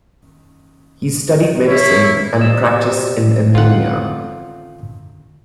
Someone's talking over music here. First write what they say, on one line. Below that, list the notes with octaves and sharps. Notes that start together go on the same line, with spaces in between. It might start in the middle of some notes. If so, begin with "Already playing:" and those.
He studied medicine, and practiced in Amenia.
A#3 E4 C#5 E5
C3 D5 D#5 E6
D3 A3 C4 D#4 F4 F#5